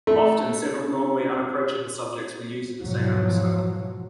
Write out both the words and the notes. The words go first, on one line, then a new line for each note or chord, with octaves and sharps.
Often several normally unapproachable subjects were used in the same episode.
A3
E2 G#2 B2 F3 F#3